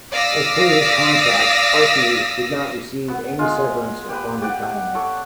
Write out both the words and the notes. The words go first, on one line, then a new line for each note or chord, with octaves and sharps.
As per his contract, Arpey did not receive any severance upon retirement.
D5 F5 D#6 E6 A#6 B6
B3 E6
G#3 F4
G4 B4
G4 D5 F#5 G5
A4 C#5 D5